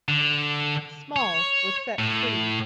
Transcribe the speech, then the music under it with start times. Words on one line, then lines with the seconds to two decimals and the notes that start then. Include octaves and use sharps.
Small was set free.
0.08 D3
1.16 C#5
1.99 A2